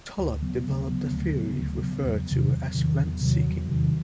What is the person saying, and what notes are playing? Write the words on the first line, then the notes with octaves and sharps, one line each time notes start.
Tullock developed a theory referred to as rent-seeking.
D2
C#3 F#3 B3
D2
C#3 F#3 B3
D2
C#3 F#3 B3
D2
C#3 F#3 B3
E2
C3 D#3 F#3
E2
C3 D#3 F#3
E2
C3 D#3 F#3
E2
C3 D#3 F#3